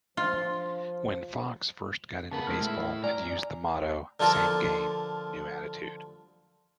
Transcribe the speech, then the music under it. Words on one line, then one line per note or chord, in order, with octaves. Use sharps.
When Fox first got into baseball, it used the motto Same game, new attitude.
F3 F4
C#3 B3 A#4 B4 A5
G#3 C4 F6
A2 E4
D5 G#5 A#5 F6
D3 F3 F4 A4 A#4